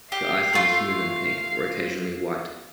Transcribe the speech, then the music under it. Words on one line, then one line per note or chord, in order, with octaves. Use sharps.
The icing is smooth and pink, or occasionally white.
G4 F5
A3 F4